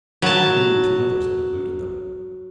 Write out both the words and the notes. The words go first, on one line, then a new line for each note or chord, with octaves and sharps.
Dian and two others had eluded them.
F#3 A5